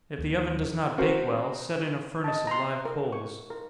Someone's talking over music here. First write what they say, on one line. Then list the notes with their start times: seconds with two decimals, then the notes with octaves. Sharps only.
If the oven does not bake well, set in a furnace of live coals.
0.19 D#2
0.98 C#4 F#4 A#4 C5
2.24 D#5 A5
2.47 A#5 C6
2.85 A#4
3.12 C#6
3.50 A#4